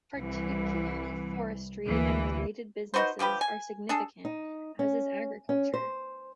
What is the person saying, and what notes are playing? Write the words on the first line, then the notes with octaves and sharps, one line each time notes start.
Particularly forestry and related businesses are significant, as is agriculture.
C2 E3
D2 E3 A#3
D#4 F#4 B4 C5
D3 F3 G4 B4
G#5
D4 G#4 A4
D#4
C#4
C#4
C5